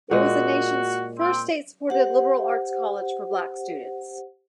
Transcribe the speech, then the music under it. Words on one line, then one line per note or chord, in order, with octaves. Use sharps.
It was the nation's first state-supported liberal arts college for black students.
A#2 G#3 F#4
C4
G4 C5 F#5